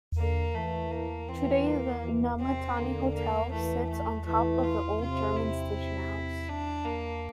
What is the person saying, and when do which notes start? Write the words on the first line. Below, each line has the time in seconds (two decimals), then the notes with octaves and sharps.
Today the Namatanai Hotel sits on top of the old German Station house.
0.17 D3 A#3
0.54 E3 A3
0.91 A#3
1.28 E3 C4
1.66 A#3
2.03 E3
2.40 C3 C4
2.77 D3 A#3
3.14 A#3
3.51 E3 A3
3.89 A3
4.26 E3 A3
4.63 F4
5.00 C3 F4
5.37 E4
6.49 D4
6.85 A#3